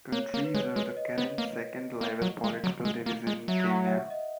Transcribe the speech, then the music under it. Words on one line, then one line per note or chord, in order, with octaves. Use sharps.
Counties are the current second level political division in Kenya.
A#3 C#5
A#3
B4
G#3 C#5
G#3
D#5
B3
A#3
A#3
F#3
G#3
F#3
G#3
A#3
G#3
F#3 E5
F#5
E5
D#5